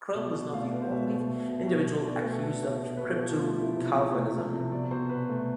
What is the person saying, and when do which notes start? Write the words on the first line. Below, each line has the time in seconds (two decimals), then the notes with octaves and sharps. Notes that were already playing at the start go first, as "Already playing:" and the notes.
Krell was not the only individual accused of Crypto-Calvinism.
0.15 B2 D5
0.34 B2
0.53 A3 F5
0.62 D5
0.72 B2 B4
0.82 C5
0.91 B2 E5
1.10 A3
1.29 B2
1.48 B2
1.67 B2
1.86 B2
2.05 B2 D5
2.18 B4
2.24 A3
2.30 A4
2.43 B2
2.62 B2
2.81 B2
2.97 B2 B4
3.08 A4
3.19 F3 G4
3.38 A3 F4
3.57 F3 E4
3.77 C3
3.96 C3 E4
4.15 A3
4.33 F3 E4
4.53 C3
4.72 B2 D5
4.91 B2 C5
5.09 B2 B4
5.29 A3